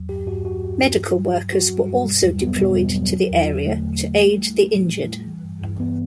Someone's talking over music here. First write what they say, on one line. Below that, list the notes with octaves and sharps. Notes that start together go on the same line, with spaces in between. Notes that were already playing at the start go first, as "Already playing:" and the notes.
Medical workers were also deployed to the area to aid the injured.
Already playing: E2 F#3
G2 G4
G2 F#4
G2 F#4
G2
G2
G2
F#3
G2
F#3 F#4
F#3
G3
G2
B2 G3
E2 G3
F#3 B3
B2 G3
E2
F#3
F#3
E2
D3
D3 A3
E2
E2
G3
G3
G3
A2
A2
G3
E3
G2
G2
E3 B3